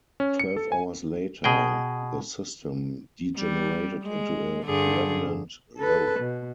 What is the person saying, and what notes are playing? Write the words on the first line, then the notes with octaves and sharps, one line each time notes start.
Twelve hours later, the system degenerated into a remnant low.
C#4
C#7
A4
G#5
B2 G#4 D#5 G5
G3
G#3
G2 D3 G#4
A4 B4
B2